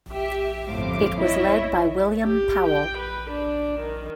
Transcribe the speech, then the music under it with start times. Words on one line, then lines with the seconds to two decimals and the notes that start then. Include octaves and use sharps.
It was led by William Powell.
0.13 G4 E5
0.69 G1 F2 A2 C5 F5 D6
1.19 E4 C#5 D#5 E5
2.25 G4
2.67 G5
2.99 B4
3.31 D4
3.81 D#3